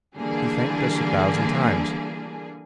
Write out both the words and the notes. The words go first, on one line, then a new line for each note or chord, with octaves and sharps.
He thanked us a thousand times.
D3 E3 G3 A#3 D4 G#4